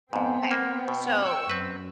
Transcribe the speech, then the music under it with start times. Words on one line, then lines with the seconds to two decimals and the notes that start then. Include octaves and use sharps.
okay. So,
0.13 F2 G#2 B3 C4 G5
0.51 A#3
0.88 B2
1.21 G5 C#6 E6
1.50 F#2 C4 B4